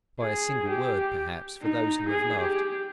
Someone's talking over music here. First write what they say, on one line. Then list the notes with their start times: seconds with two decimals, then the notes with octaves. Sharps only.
By a single word, perhaps, for those who have loved.
0.20 G#4
0.68 G4
1.62 D#4
2.08 G#4
2.41 G4